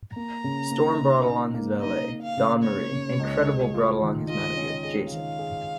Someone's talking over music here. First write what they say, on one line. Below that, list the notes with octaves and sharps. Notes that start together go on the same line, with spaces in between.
Storm brought along his valet, Dawn Marie, and Credible brought along his manager, Jason.
A#3 A#5
C#3
A#3
D#4
D#4
A#3
D#4 D#5
D#4
F5
C#3
A#3 C#5
C#3
C#2
G#4
F4
D#3
F4 D#5
C#4
G#4
D#3 F5
G#4